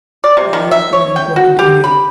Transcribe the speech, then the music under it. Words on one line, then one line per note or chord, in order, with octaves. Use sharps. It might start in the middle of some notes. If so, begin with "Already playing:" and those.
Brown was born in Port Antonio.
D5
C3
D#3
E5
C#5
G5
F#4
G4
B5